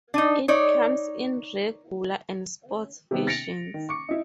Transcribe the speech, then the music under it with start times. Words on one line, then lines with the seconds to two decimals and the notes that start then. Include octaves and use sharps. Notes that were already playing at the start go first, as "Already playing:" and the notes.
It comes in Regular and Sports versions.
0.14 D4 D#4
0.48 D#4 C#5 D5
3.11 C3 D#3 B3
3.27 A6 A#6 C#7 D7 F7
3.74 D#3
3.89 C#6 D6 C#7
4.09 D#4 E4